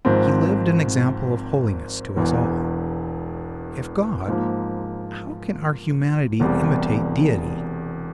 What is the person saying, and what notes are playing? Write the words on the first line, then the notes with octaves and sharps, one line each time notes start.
He lived an example of holiness to us all: if God, how can our humanity imitate Deity?
G#1 G#2 F3 C4
E1 E2 E3
G#2 F3 A#3
E1 E2 C3 G3